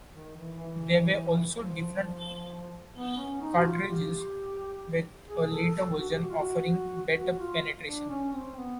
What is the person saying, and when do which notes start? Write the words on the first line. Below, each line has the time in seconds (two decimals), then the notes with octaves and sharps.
There were also different cartridges, with a later version offering better penetration.
0.13 D#3
0.37 E3
0.59 E3
1.53 F3
2.94 B3
3.17 C#4
3.41 D#4
3.56 F#4
3.64 F4
3.88 G4
5.28 G#4
5.51 A4
5.74 A4
5.98 F#4
6.10 G4
6.21 F#4
6.30 F4
6.38 F#4
7.15 F#4
7.39 F4
7.86 D4
8.09 C#4
8.33 C4
8.56 B3